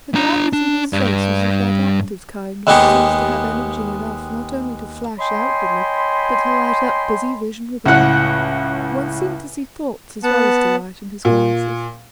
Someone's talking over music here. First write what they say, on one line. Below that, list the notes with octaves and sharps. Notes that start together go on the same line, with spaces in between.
The gladness in his face was of that active kind which seems to have energy enough not only to flash outwardly, but to light up busy vision within: one seemed to see thoughts, as well as delight, in his glances.
D4 A#5
D4
G2 D4
D#2 G#3 B3 G4 G#4 C#6
C#5 D#5 G5 G#5 B5 C6
C#2 A2 F#5 F#6
B3 F#5 A5
A#2